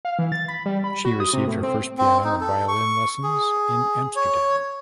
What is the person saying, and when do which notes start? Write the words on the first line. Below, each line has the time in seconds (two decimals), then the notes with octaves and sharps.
She received her first piano and violin lessons in Amsterdam.
0.05 F5
0.19 E3
0.32 A6
0.48 B5
0.66 G3
0.84 B5
1.05 F#4
1.20 D#6
1.33 C3
1.47 A2
1.63 C4
1.98 C4
2.25 D#4
2.41 A4
2.68 C#6
3.23 G#4
4.16 C#5